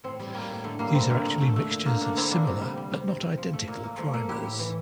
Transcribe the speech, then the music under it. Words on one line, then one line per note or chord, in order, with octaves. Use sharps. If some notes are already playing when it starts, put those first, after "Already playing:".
These are actually mixtures of similar, but not identical primers.
A2 A3 C4
G3
G3 A#3
A2
D3 A3
G3 A#3
G3 A3 C4
D3 A#3
A#2 A3
A3
A3
A#2
D3 A#3
A3 A#3 D4
A3 C4 E4
D3 A#3 D4
C3
G3
G3
C3
C3
C3
F3
A3
A#2 A#3
A#2 A#3
F3 A3
A3 A#3
A2 E4 G4
A2
E3